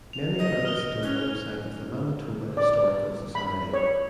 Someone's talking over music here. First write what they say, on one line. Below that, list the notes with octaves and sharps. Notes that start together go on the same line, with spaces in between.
Many are listed on the website of the Manitoba Historical Society.
F7
D#5
F6 F7 G7
C#4 F#6
D5
B5
C#5